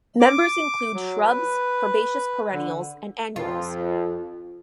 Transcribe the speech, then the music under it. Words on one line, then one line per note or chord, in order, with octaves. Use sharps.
Members include shrubs, herbaceous perennials, and annuals.
D6
F#3
B4
D3
F2 F4